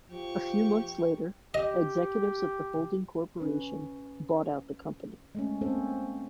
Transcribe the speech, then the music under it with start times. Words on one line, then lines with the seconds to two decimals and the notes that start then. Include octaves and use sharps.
A few months later, executives of the holding corporation bought out the company.
0.11 F3 G4 C#6
1.54 G4 D#5
3.40 C#4 B4
5.35 G#3 A3 C#4
5.61 A#3 C4 C#4 A4 C5